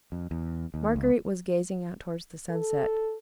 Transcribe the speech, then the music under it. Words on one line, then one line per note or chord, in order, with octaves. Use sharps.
Marguerite was gazing out towards the sunset.
F2
E2
D#2
C#2
A4